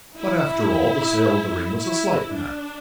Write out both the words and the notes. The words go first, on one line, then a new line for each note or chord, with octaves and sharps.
But, after all, the sale of the ring was a slight matter.
E4
E4
D4